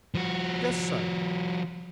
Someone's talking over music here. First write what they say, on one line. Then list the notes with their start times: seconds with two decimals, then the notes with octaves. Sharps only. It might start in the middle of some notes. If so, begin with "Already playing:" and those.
"Just so."
0.14 F3 F#4